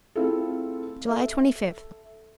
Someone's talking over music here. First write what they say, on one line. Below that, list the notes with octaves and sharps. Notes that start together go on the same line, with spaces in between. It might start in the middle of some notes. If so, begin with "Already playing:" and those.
July Twenty-fifth.
A3 C4 E4 F4 G#4 A4
A4 E5